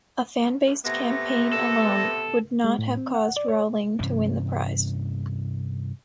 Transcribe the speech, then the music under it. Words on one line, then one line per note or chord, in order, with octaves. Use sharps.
A fan-based campaign alone would not have caused Rowling to win the prize.
C3 A3 B3 A#6
A4
G#3
A2
C4
F#5
D5
C#5
G2 C3 E3 C#4